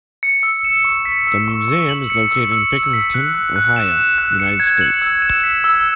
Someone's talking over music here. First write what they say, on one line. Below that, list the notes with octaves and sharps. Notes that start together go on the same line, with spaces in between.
The museum is located in Pickerington, Ohio, United States.
C#7
E6
E7
C#6
B6
E6
C#6
C#6
F#7
C#7
E6
E6
F#7
B6
F#6
F#6
F#6
E7
E7
F#6
C#7
G#6
F#7
E6
E7
B6
E6